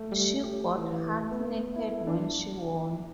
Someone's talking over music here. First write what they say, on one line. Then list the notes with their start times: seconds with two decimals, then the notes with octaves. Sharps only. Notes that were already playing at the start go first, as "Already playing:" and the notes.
She got half naked when she won.
Already playing: A3
0.11 G3
0.44 G4
0.77 E3
1.09 A4
1.20 A3
1.31 B3
1.75 E4
1.92 A4
2.07 E3 D4